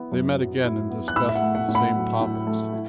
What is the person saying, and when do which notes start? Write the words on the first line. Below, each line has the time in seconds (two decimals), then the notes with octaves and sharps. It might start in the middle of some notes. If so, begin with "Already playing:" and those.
They met again and discussed the same topics.
Already playing: B3 E4
0.12 F#2
0.38 F#3
0.64 E4
0.90 B3
1.08 F#6
1.16 A2 B5 E6
1.29 E5
1.35 F#5
1.42 A3
1.55 F#5
1.68 A2
1.75 F#5 B5
1.95 F#3
2.21 A2
2.47 A3
2.73 E4